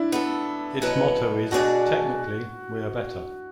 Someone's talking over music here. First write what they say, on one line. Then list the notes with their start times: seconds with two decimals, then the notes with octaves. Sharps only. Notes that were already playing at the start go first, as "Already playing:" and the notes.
Its motto is "Technically", we're better.
Already playing: D4 E4
0.12 B3 F#4 A4
0.82 B2 F#3 B3 E4 B4
1.51 B2 A3 D4 F#4 G#4 D5